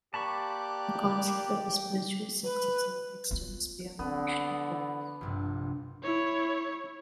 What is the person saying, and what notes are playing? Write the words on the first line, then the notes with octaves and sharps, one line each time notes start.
The concept of a "spiritual successor" extends beyond fictional works.
A#3 G4 D5 A5 B5 C#6 F#6
B4
B3 F4
D3 B3 C4
A#1 G2 C3
E4 C#5